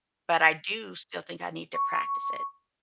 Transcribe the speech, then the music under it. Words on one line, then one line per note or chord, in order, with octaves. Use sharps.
but I do still think I need to practice it.
C#6